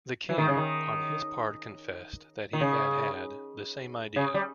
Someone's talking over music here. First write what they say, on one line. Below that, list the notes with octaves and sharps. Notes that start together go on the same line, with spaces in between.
The king, on his part confessed that he had had the same idea.
E3
D#3
C#3
D#3
D#3
C#3
C#3
G3